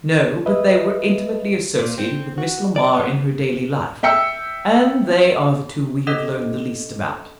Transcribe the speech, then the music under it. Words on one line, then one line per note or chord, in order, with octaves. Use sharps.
"No, but they were intimately associated with Miss Lamar in her daily life and they are the two we have learned the least about."
B4 D#5 E5
A#2
C4
F#4
D5
B3
E5 G5 E6 C#7
C#4 D4 A4 D#5